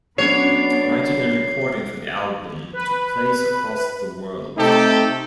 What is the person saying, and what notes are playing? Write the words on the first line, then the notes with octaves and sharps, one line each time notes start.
Writing and recording for the album took place across the world.
F#3 B3 C#4 D4 C#5 C7
B4
C3 A3 C4 D#4 G4 A4